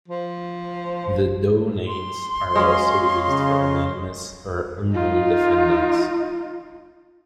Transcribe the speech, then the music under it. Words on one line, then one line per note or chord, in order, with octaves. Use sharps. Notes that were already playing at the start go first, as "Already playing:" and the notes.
The Doe names are also used for anonymous or unknown defendants.
F3
C6
F#3 G#3 C#4 C#5 D#5 F5
C#3
D#4 F4